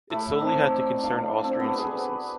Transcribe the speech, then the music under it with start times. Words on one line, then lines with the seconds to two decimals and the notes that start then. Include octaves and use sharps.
It solely had to concern Austrian citizens.
0.10 A2 A4 E5 B5
0.39 C4 D4 D#4
1.03 D4 F5
1.44 C4
1.60 B3 F#4
1.78 G#4 B4